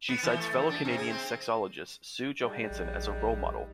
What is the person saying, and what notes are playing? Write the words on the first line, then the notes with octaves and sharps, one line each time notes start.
She cites fellow Canadian sexologist Sue Johanson as a role model.
B3
E3
A3
E2
D4
C3
G#4
C4
G3 G#3 D#4
A#1